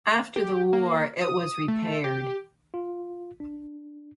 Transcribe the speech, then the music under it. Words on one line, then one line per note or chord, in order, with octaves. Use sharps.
After the war it was repaired.
G4
A#3
D#6
A3
G4
F4
D4